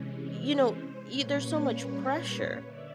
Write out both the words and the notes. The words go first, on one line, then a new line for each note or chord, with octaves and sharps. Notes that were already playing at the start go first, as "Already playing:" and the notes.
you know, y there's so much pressure
Already playing: C3 E3 G#3 C#4
C5
A#2 G3 A#3 C#4 B4 C#5
D3 D5 E5